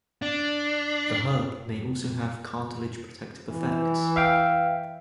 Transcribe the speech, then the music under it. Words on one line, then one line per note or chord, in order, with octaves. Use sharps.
The herb may also have cartilage protective effects.
D4
E3
E5 F5 G5